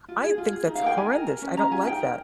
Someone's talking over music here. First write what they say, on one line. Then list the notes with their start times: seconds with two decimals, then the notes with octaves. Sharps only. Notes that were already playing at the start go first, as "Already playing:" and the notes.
I think that's horrendous. I don't like that.
0.08 F4
0.23 G#4
0.38 F4
0.53 G#4
0.67 D#4
0.75 F5
0.83 A#4 G5
0.97 D#4 G#5
1.13 A#4
1.27 A#4
1.42 C#4
1.57 C#4 A#5
1.71 F4 G#5
1.86 D#4 G5
2.01 A#4